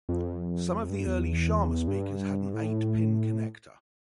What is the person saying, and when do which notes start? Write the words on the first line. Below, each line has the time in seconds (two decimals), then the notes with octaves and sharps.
Some of the early Sharma speakers had an eight pin connector.
0.09 F2
0.90 G2
1.06 E2
1.88 G2
2.54 A2